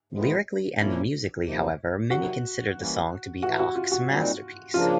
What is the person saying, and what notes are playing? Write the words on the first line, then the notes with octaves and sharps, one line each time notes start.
Lyrically and musically, however, many consider the song to be Ochs' masterpiece.
A2 F3 G#3 B3
A#2 F3 A#3 C#4 E4
C3 F3 A#3 D#4
C3 D#3 F#3 F#4
E3 G3 A#3 C#4
A2 E3 A3 F#4
F#4
F4
F#4
A#2 G3 C4 D#4
C#3 F3 A#3 D4 F4